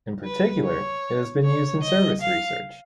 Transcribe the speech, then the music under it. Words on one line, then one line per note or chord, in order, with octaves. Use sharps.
In particular, it has been used in service research.
B4
C#5
C#5
D#5
F5